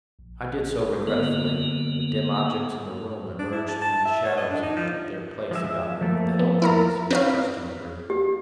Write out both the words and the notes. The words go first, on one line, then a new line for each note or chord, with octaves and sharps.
I did so regretfully, and the dim objects in the room emerged from the shadows and took their place about me with the helpfulness which custom breeds.
A#1
D3 A#3 B3
D4
E4
A5
A5
E5
C#5
D#5
D4
D#4
F3
F3 G#3 E5
F3 A3 A#3
B3
E4 A#4 A#5
C4 B4 C#5 F5
G4